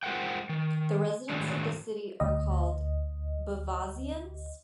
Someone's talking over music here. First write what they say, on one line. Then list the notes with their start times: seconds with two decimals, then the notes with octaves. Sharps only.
The residents of the city are called Beauvaisiens.
0.03 G#3 F4 A#4 C5 F#5 G5
0.49 D#3
1.30 A2 D3 D#3 F#3 G#3 D4
2.20 D2 D#5